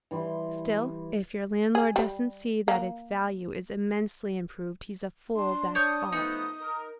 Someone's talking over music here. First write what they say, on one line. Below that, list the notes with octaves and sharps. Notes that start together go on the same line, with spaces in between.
Still, if your landlord doesn't see that its value is immensely improved, he's a fool, that's all.
E3 G3 C6
G#4
G3
A#3
D4 C6
C#5 D#6 G6
F3 A3 B3 D#4
A#4